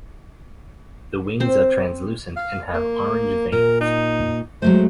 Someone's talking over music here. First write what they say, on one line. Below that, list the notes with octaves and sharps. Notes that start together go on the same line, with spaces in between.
The wings are translucent and have orange veins.
C4 C5
F5
A#3
A#2 A#4
D#4
F#3 G#3 A3 C5